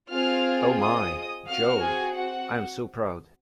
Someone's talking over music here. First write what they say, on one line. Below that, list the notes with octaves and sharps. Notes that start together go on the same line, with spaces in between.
O my, Jo, I am so proud!
C4 F4 G#4 F5 F6
D#5 D#6
C4 F#4 F5 F6
G#4 G#5
F#4 F#5